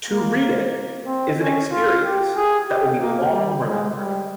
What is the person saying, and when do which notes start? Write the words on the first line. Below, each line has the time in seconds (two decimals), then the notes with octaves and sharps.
To read it is an experience that will be long remembered.
0.11 A#3
1.06 C4
1.39 C#4
1.72 F4
2.04 G4
2.36 G#4
2.68 G4
3.00 A#3
3.32 G3
3.65 G#3
3.97 G3